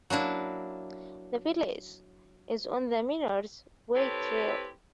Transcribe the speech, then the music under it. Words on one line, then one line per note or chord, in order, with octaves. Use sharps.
The village is on the Miner's Way Trail.
F#3 A#3 D4 E4
C4 E4 G4 A4 B4 C#5